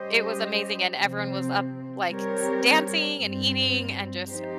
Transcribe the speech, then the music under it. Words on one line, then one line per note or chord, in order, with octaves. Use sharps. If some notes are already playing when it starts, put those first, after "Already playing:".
it was amazing, and everyone was up, like, s dancing and eating and just,
Already playing: G3 C#4 G4 C5 D#5
C3 F3 C4
G3 C4 G4 A#4 C#5
G2 G3 C4
F3 C4 D#4 G4 C5